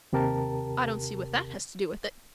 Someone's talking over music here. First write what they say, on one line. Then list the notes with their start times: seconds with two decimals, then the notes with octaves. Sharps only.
I don't see what that has to do with it.
0.13 D#2 C3 G4 A#4 A5